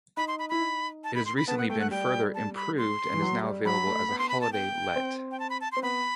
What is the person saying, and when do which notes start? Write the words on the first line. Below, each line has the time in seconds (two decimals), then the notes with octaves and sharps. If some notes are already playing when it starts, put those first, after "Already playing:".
It has recently been further improved and is now available as a holiday let.
0.17 D#4 B5
0.28 C6
0.39 B5
0.49 E4 B5
0.60 D#4
1.04 A5
1.15 B5
1.26 C6
1.37 B5
1.47 B3 A5
1.58 F#5
1.69 A3 G5
1.80 F#5
1.91 G3 G5
2.35 A5
2.56 B5
2.78 C6
3.14 E3
3.22 F#3
3.43 G3
3.65 F#3 B5
3.87 A3
4.09 B3
4.18 C6
4.29 B5
4.41 A5
4.53 G5
4.96 C4
5.31 G5
5.40 A5
5.50 B5
5.61 A5
5.72 C6
5.77 C4
5.83 B3 B5